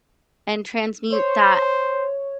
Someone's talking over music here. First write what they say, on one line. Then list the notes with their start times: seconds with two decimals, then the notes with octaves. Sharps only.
and transmute that
1.12 C5 C#5